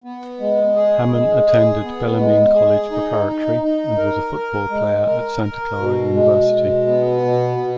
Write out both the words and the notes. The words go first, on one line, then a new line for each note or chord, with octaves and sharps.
Hamann attended Bellarmine College Preparatory and was a football player at Santa Clara University.
B3
G#3
G#4
G#3
G#4
B3
G#3
G#4
D#4
D#4
D#4
A#4
A#4
G#3
A#4
A#4
B2
G#3
B2
B3
B2
B2